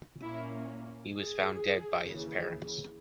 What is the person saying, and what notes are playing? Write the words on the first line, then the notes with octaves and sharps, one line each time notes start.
He was found dead by his parents.
A#2 A#3 C#4 E4
G#4
D#2 C#3 E3